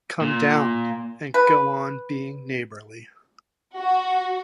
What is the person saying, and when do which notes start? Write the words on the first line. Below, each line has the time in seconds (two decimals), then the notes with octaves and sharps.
Come down, and go on being neighborly.
0.21 A#2
1.34 B4
3.76 F#4